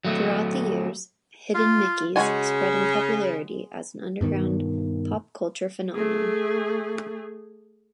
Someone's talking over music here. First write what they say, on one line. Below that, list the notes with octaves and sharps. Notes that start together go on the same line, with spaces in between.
Throughout the years, Hidden Mickeys spread in popularity as an underground, pop culture phenomenon.
F#3 A3
F4
C#3 G#3 F#4 G#5
G2 B2 D#3
A3 G#4